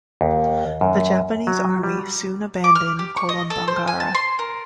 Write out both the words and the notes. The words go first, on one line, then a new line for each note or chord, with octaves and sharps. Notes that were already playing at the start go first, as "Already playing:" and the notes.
The Japanese Army soon abandoned Kolombangara.
D#2
F#2
F#3
G3
D6
F6
G4
C#6
D#5
A4
C5
G#5
A5
C6
A#4